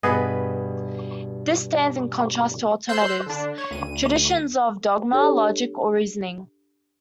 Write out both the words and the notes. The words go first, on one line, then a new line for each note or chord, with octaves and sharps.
This stands in contrast to alternatives: traditions of dogma, logic or reasoning.
G2 B2 B3 G#4 B4 D#5
C5 C6 E6 F#6 G6
D3 D4
C#5
D2 D#7
D4 G4 A4 C#5